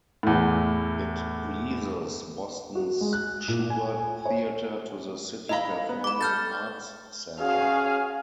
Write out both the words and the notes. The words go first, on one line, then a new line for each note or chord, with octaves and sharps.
It leases Boston's Shubert Theatre to the Citi Performing Arts Center.
E2 A2
F#4
G#3
F#6
A#2
G#5
G#5
C#5
E4 D#5 F5 A#5 B5
B3
B5 D6
A4 F6 G6 A6
C#4 F#4 G#4 F5